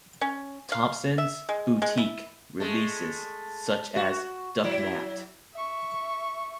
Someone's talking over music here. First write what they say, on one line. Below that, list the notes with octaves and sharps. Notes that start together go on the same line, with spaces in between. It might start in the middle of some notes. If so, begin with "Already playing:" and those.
Thompson's boutique releases, such as Ducknapped!
C#4
F5
E5
G#3
G#3
E4
G#3 A3
F#4
F#3 E4
E5 C#6